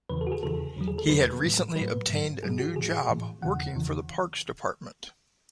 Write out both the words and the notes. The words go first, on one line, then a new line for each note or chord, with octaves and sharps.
He had recently obtained a new job working for the Parks Department.
E2 C#3 E3 B4
A4
F#4
G#4
E2 C#3 E3 A4
E2 D3 F#3
G#4
A4
E2 D3 F#3 B4
A2 F#3
A2 F#3 B4
G#2 F#3
G#2 F#3 G#4
F#4
A2 E3 G#4
A2 E3
E2 C#3 E3 F#5
E2 C#3 E3